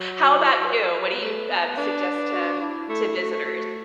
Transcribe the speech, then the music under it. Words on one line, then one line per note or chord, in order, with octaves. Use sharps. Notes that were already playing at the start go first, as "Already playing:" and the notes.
How about you? What do you, um, suggest to to visitors?
Already playing: F#3
F#4
F#4
E4
F#4
B4
B3
A3
B3
D4 B4
F#4
E4
A3 E4
A3 F#4
A3 F#4